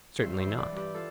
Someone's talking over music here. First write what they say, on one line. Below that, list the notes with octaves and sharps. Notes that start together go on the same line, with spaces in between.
Certainly not.
G2 C5 E5
C5 E5
E3
B4 D5
G2
G4 B4
F4 A4